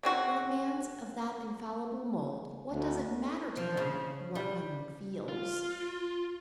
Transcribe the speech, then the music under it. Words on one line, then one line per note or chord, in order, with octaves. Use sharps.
"When a man's of that infallible mould what does it matter to him what one feels?"
C#3 C4 F#4
D2
F3
C#3
G3
F4